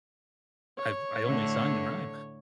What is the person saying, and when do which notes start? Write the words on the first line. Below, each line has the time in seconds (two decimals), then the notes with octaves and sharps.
I've I only sign and rhyme.
0.78 C#5
1.25 A2 D3 A3